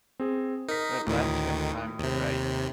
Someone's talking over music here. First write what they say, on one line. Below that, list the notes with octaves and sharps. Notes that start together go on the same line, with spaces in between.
It left him time to write.
C4 G#4
D#4 A#4 B6
D2 A2 D#3
D#2 C3